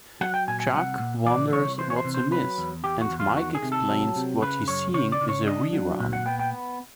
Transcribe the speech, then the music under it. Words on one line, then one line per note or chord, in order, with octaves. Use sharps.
"Chuck" wonders what's amiss, and Mike explains what he's seeing is a rerun.
F#3 F#5
G5
A#2 G#5
G#5
C2 F#5
A#2
E3 D5
C2 C#5
E3 C5
C#5
C5
C3
C5
F#3 B4
E2
E2 G4
F#4
E2
F4
D#3 F#4
G#4
C3
A4
F#3
C3
C#3 B4
F#2 C#5
C#3 C#5
D5
C#3
C#5
D4 D#5
F#3
A#2
F#5
B3 G5
G5